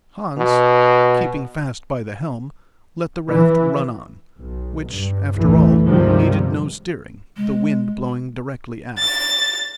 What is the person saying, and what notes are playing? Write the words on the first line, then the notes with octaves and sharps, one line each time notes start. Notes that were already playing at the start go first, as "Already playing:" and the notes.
Hans, keeping fast by the helm, let the raft run on, which, after all, needed no steering, the wind blowing directly aft.
B2
E3
B1
G2
B1 E2 A2 E3 A3
C#2 G2 C3 D#3 F3 G3
G#3
A6